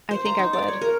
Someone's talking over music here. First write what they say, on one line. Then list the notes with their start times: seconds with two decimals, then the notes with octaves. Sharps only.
I think I would.
0.11 C5
0.25 A#5
0.39 D#4
0.53 D5
0.68 C#5
0.81 A#4